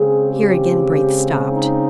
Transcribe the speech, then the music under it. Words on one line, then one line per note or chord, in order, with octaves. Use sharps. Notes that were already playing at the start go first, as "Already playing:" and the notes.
Here again Braith stopped.
Already playing: C#3 G#3 C4 G#4
G4
D#4